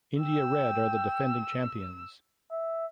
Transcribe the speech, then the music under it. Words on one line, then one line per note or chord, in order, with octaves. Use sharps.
India Red are the defending champions.
G5 E6
E5